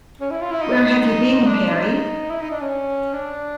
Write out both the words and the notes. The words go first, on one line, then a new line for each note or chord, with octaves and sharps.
Where have you been, Perry?
C#4
E4
F4
E4
D#4
D4
D#4
E4
D#4
D4
C#4
D4